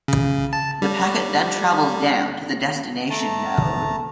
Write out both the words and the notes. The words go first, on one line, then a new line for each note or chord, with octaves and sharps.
The packet then travels down to the destination node.
C#3
A5
G3
A3 A5 A#5